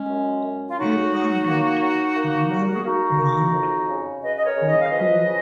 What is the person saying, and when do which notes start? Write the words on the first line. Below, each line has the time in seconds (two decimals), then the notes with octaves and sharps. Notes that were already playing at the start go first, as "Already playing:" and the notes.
He founded the Mel Blount Youth Home.
Already playing: G#3 C#4
0.09 F#2
0.43 F#2
0.69 F4
0.77 F#3 D#4 F#4
1.13 F#3
1.47 A#3
1.81 F#3
2.15 A#3
2.50 A#3
2.74 G#4
2.84 A#3 D#4 F#4
3.19 A#3
3.54 F2
3.88 C#3
4.23 C#3 B4 D#5
4.37 D#5
4.45 A#4 C#5
4.57 C#3
4.68 D#5
4.80 F5
4.91 F3 B4 D#5
5.25 C#3